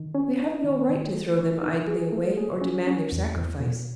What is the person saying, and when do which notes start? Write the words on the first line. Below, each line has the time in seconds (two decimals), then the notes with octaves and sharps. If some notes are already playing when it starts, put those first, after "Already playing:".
We have no right to throw them idly away, or demand their sacrifice.
Already playing: D#3
0.15 C#4
0.40 C#4
0.64 D#3
0.89 D#3
1.14 A3
1.39 C#5
1.63 D#4
1.87 G#4
2.12 A3
2.37 G#4
2.61 C#4
2.87 C#4
3.12 E2
3.36 E2
3.61 B2